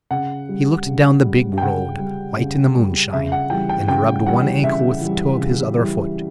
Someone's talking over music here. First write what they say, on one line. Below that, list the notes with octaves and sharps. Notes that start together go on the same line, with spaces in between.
He looked down the big road, white in the moonshine, and rubbed one ankle with the toe of his other foot.
C#3 F#5
G3
C#3
G3
G5
C#3 F#5
G3
C#3
G3
C#3 E5
F#5
E3 G3 G5
G5
C#3 G5
E3 G3 F#5
C#3 E5
E3 G3
C#3
E3 G3